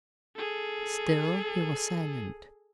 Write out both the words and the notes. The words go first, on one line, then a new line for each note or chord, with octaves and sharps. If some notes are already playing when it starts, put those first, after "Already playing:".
Still he was silent.
G#4 A4